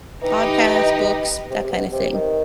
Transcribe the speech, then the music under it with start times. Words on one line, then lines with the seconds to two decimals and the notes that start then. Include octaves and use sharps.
podcast, books, that kinda thing.
0.22 E3 D#4 G4 B4 D#5
1.51 C3
1.64 C3
1.71 B2
1.93 C3
2.14 D#3